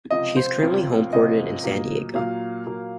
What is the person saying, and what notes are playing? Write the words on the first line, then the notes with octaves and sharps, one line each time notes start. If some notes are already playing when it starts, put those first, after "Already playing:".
She is currently homeported in San Diego.
C#2 C3 F3 D#5
C5
C#2 C3 F3 F4
C#2 C3 F3 D#5
A#2 F#3 A#3
A#2 F#3 A#3 F5
A#2 F#3 A#3